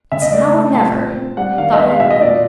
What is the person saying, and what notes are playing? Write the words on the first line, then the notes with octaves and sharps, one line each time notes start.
"It's now or never," thought Henry.
C#3 E5
D#5
A3 D5
A3 A5
A#2 A5
C4
C4
G3 F#5
D#3 F5
D#5
B3 E5
F5
B2 E5
D#5
A#2 D5